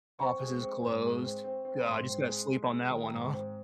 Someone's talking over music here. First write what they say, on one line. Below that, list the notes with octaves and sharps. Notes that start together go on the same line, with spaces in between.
Office is closed. God, you just gotta sleep on that one, huh?
C4 C#6
G#3
C4
G#2
G#3
C4
C4
C4
G#2 C6
C4
G#3
G#3
G#3
D#3
G#2
C4